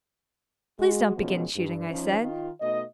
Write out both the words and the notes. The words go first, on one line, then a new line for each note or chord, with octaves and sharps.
'Please don't begin shooting,' I said.
G#3 F#4
B2 D#3 F3 G#3 B3 C#4
G2
F3 C#4 D#4
D#3 F4
B2 A3 D#4 D#5